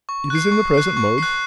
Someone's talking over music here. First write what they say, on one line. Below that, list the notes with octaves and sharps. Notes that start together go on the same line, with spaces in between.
It is in the present mode.
C#6
F#6 C7
C#6
F#6 C7
C#6
F#6 C7